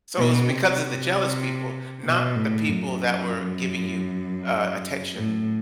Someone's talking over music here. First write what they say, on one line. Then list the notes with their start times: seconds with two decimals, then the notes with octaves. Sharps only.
So, it was because of the jealous people, not the people that were giving you, uh, attention?
0.18 B2
0.49 C3
2.04 B2
2.36 A2
2.67 F#2
5.16 A2